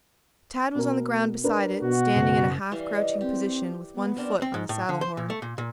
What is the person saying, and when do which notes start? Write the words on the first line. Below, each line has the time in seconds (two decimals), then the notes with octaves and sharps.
Tad was on the ground beside it, standing in a half-crouching position, with one foot on the saddle horn.
0.75 B2 A#4
1.44 D4 A#4 B4
1.83 B2 F#4
2.15 F#1
2.72 E3 G3 F5
2.91 D#5
3.21 C4 G4
3.95 B3
4.17 C4 D4 A#4
4.42 C4
4.54 G#2
4.69 A2
4.89 D3
5.01 C5
5.17 A#2
5.30 A3
5.42 A#2
5.58 A#2